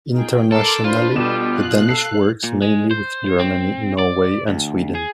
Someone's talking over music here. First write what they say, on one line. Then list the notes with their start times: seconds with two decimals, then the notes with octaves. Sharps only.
Internationally the Danish works mainly with Germany, Norway and Sweden.
0.13 D#4 F4 G#4 G5
0.52 A4 A#4 C6 D6 F6
0.84 D4 F4 A4 B4 C5
1.15 B2 G3 E7
1.54 F5 F#6
1.89 A4 C7
2.44 A#2
2.62 G#3
2.91 C5
3.39 C4
3.98 D5
4.48 D2
4.95 G#4